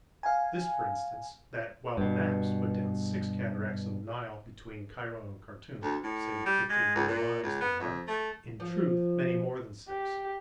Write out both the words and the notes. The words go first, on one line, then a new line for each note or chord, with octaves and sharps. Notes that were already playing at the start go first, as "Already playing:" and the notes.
This, for instance: that, while the maps put down six cataracts in the Nile between Cairo and Khartum, say fifteen hundred miles, there are, in truth, many more than six.
F5 G#5
G2 B2
D2
A2
G3
G#3
C#2
A#2
C#2
B3
F2
A3
F3
G4